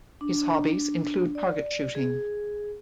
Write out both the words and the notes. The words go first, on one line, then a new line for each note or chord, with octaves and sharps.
His hobbies include target shooting.
D4
D5
G#4